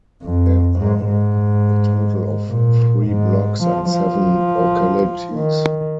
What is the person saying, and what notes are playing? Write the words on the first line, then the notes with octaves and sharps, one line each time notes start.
There are a total of three blocks and seven localities.
F2
G#2
G#2
A#2
G#2
F3
F3
D#3